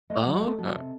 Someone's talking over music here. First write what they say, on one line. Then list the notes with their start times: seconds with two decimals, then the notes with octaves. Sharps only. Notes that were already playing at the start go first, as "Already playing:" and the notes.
Oh, okay.
0.10 A3 D#5
0.22 F#3 F#5
0.34 D#5
0.42 A3 A#4
0.58 F#3 A4
0.75 C3